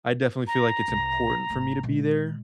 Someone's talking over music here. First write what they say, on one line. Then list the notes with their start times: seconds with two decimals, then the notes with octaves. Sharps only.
I definitely feel like it's important for me to be there.
0.47 A#5
0.88 C2
1.50 G#1 A3
1.83 A#2 G#3